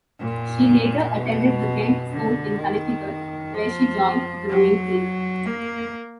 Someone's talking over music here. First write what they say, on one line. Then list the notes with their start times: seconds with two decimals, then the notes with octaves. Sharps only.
She later attended the Kent School in Connecticut, where she joined the rowing team.
0.19 A#2
1.16 B2
2.11 D3
2.58 D#3
3.54 F3
4.50 F#3
5.46 A#3